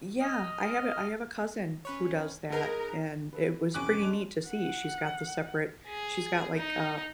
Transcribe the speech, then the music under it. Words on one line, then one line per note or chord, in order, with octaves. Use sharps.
Yeah. I have a I have a cousin who does that, and it was pretty neat to see. She's got the separate she's got, like, a
D#5 F6
C#4 B4 C#5
D#4 G#4 A#4 B4
A4 B4
F2 C3 E3 C#4 D6 F#6
G#3 D4 F7
F#5
G#4
D#4